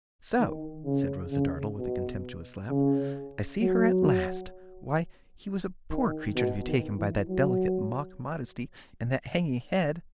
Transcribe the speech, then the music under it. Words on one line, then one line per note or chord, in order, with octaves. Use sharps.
'So!' said Rosa Dartle, with a contemptuous laugh, 'I see her at last! Why, he was a poor creature to be taken by that delicate mock-modesty, and that hanging head!'
D#3
C#3
C#3
B2
C#3
F#3
D#3
B2
D#3
E3
F#3